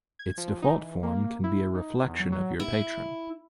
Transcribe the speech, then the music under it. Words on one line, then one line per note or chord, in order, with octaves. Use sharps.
Its default form can be a reflection of your patron.
G#6
F3
D#4
E3
A#3
E4
D#4
E2
F#3
F#3
E4